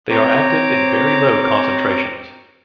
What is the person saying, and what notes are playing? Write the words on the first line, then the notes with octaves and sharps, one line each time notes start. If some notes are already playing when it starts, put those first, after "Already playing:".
They are active in very low concentrations.
C4 C#5 A#5 D6